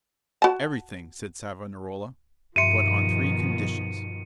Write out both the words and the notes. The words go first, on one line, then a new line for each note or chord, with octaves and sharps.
"Everything," said Savonarola, "but on three conditions."
F#4 A5
G2 B2 D#3 F3 E5 C6 C#7 D#7